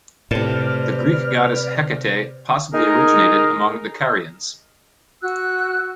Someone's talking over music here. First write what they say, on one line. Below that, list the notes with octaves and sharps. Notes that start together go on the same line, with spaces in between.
The Greek goddess Hecate possibly originated among the Carians.
A2 C3 B4 D5 A5 F6
D#4 G#4 A#4
F#4 E6 F#6